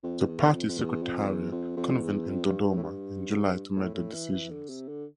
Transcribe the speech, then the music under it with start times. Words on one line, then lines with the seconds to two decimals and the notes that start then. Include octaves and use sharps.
The party secretariat convened in Dodoma in July to make their decisions.
0.03 F2
0.28 E2
0.53 F2
0.68 F2
0.78 E2
1.02 F2
1.27 E2
1.52 F2
1.77 F2
2.02 E2
2.27 F2
2.45 G2
2.64 G2
2.77 A2
2.83 G2
3.76 A2
3.94 A2
4.14 E3
4.32 E3
4.50 D3
4.69 C3
4.88 D3